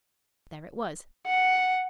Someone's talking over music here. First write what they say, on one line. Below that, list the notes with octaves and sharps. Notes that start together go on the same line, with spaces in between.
There it was.
F#5